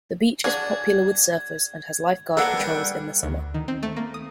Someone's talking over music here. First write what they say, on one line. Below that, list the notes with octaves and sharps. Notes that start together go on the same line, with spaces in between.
The beach is popular with surfers and has lifeguard patrols in the summer.
D4 F#4 G#4 G#6
A#3 B3 D4 A4 A#4 F#5 F#6 C#7
G3 D4
D2
D#3
C4
A3
A#3
D#6